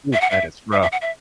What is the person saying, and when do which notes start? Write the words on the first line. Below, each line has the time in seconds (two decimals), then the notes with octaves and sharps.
Ooh, that is rough.
0.13 E5
0.21 F#5
0.30 E5
0.72 E5
0.82 E5
0.92 F#5
1.02 E5